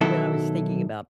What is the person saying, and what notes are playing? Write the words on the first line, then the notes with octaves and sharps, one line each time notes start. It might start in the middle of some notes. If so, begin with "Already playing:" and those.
when I was thinking about
B1 D#3 F#3 E4 A4